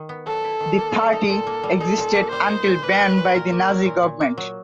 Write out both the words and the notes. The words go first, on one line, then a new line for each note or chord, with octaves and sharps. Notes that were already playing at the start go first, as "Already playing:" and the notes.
The party existed until banned by the Nazi government.
Already playing: D#3
B3
F#3 A4
E4
D#3
A#3
G3
D#4
A#2 A4
A#3
G3
D#4 A4
A#2
A#3
G3 C5
D#4
A#2
A#3 B4
F#3
A#2
A#2 A#4
A#3
F#3
A#2
A#2
A#3
F#3